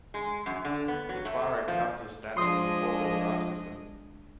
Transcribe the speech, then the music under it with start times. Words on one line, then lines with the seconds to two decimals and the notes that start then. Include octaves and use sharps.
The Touareg comes as standard with a four-wheel drive system.
0.14 G#3
0.46 F#2
0.65 D3
0.88 B3
1.09 F#3
1.25 A3
1.68 F3
2.37 F3 G#3 D4 D#5 C6 D#6